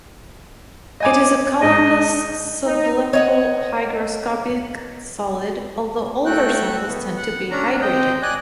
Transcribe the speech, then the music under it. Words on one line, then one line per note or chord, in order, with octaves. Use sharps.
It is a colorless, sublimable hygroscopic solid, although older samples tend to be hydrated.
D#5 G#5 D6
G#2 D#5
D#4
C#5 D#5 F#5
A3 F#4 G5 F#6
B3
F#5
C#4 D4 A#5
C4 D#5 G5
D5 D#5 G#5 F#6